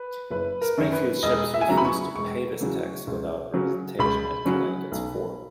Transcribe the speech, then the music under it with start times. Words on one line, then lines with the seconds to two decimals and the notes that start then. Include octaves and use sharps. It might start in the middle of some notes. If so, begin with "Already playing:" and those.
Springfield's ships refused to pay this tax without representation at Connecticut's fort.
Already playing: B4
0.31 F#1 B4
0.61 A#4
0.77 F#2 D#3
0.92 B4
1.23 E1 D#5
1.54 E5
1.61 G#5
1.68 E2 C#3 F#3 A#5
1.77 B5
1.85 C#6
2.15 E1 C#6
2.61 E2 C#3 F#3
3.07 C#2
3.54 C#3 F#3 C#4
3.99 C#2 B5
4.45 C#3 F#3 C#4
4.92 B1